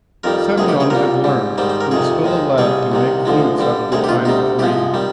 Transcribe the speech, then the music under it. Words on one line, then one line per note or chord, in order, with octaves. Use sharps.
Semyon had learnt when still a lad to make flutes out of a kind of reed.
F2 D#3 G3 A#4
D2 C3 D#3 G#4
G4
G#4
C2 A#2 G3 A#4
G#2 G3
G#2 D#3 G3 C5
C5
A#4
F2 C3 D#3 G#4
D#2 D#3 G#3
C2 C3 G3 G#4
C2 C3 D#3
D2 D3 F3 G#3
G2 D3 G3
D2 C3 D#3 G#4
G4
F4
D2 C3 G3 D#4
C2 C3 F3 G#3 G4
D#3 G3